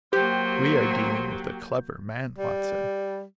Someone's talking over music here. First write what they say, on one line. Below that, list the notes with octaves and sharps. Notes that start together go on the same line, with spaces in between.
We are dealing with a clever man, Watson.
F#3 A#3 G4 C5 G6
G3